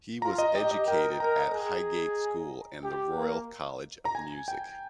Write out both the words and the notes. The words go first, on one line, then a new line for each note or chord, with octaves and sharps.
He was educated at Highgate School and the Royal College of Music.
F4 A#5
D#5
G4 D#5
D#5
A#4 G5
A#4 A#5
G#4
G4
A#3
A#5
G#5
G5